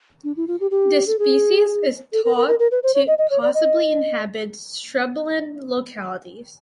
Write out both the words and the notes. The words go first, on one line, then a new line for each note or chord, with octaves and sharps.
This species is thought to possibly to inhabit shrubland localities.
D4
E4
F4
G4
G4
A4
G#4
A4
A#4
A#4
A#4
A#4
B4
C5
C#5
D#5
D#5
C#5
D5
D#5